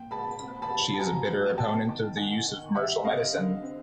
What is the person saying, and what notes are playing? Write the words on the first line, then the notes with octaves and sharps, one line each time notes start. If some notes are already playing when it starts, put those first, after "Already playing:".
She is a bitter opponent of the use of commercial medicine.
Already playing: A#2 G5
G#3 A5 B5
C4 B5
A5 B5
G3
A5
F#3 G#5 A#5
A2
B3 G5 A5
D#3
D#3 F#5 G#5
D#3
G3 E5 F#5
C4 D#5 F5
D3
C4